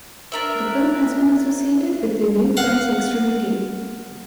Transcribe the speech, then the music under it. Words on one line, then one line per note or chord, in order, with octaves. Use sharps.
The film has been associated with the New French Extremity.
D4 A#4 E5
F5 F#5